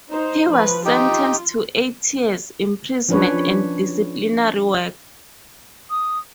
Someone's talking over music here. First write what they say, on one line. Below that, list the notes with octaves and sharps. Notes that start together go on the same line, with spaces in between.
He was sentenced to eight years' imprisonment and disciplinary work.
D#4 C5
F3 B4
D#4 F4 G4
F3 C#4 D4 B4 C#5
D#6